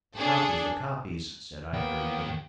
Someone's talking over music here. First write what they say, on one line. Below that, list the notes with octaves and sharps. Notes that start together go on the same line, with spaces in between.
"The copies, the copies," said I hurriedly.
D4 G#4 A4
D#2 A#3 B3 G5